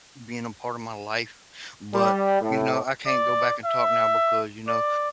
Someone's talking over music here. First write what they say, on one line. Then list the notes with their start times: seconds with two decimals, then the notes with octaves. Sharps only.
being a part of my life. But, you know, I can't go back and talk now because, you know,
1.94 G3
2.41 A2
3.07 D5
3.65 E5
4.68 D5